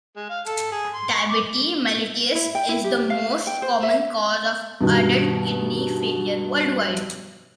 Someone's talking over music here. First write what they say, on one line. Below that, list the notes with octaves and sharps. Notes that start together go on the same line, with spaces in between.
Diabetes mellitus is the most common cause of adult kidney failure worldwide.
G#3
F5
A4
G#4
C6
C#6
D6
E4
G5
E4
G4
F5
B4
G5
C5
E5
G2 B2 D#3